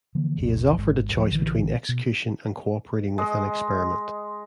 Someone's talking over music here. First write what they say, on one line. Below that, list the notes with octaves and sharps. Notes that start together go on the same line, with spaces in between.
He is offered a choice between execution and cooperating with an experiment.
D3 E3 F3 A#3
F1 B1 C3
G#1 G#2
D1 F3
A#1 D3 E3
B2
G#3 D#5